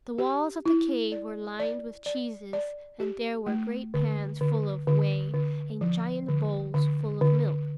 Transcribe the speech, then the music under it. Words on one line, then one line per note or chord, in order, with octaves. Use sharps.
The walls of the cave were lined with cheeses, and there were great pans full of whey, and giant bowls full of milk.
G4
E4
D5
D5
D5
D5
G4
A3
D3
D3
D3
D3
F3
D3
D3
D3